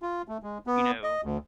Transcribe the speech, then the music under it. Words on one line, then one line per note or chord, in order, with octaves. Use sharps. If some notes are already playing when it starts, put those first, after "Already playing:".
you know
F4
A3
G#3
B3
D#5
D2